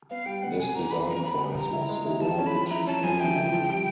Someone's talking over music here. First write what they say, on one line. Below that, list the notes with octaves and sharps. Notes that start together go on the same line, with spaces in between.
This design prize was awarded annually.
B3 F5
G3 G5
B3 F#5
C3 G#5
E3 A#5
B3 B5
B3 A#5
B3 B5
G3
G3 A#5
E4
G#3
E4
F3 A5
C#4
B5
F3
E4 A#5
C#4 A5
F3 G#5
E4 G5
E4
F3
G3